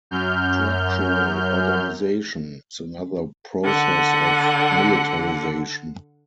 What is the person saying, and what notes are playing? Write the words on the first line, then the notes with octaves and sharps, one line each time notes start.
Structural organization is another process of militarization.
F#2 F6 G6
D3 F#5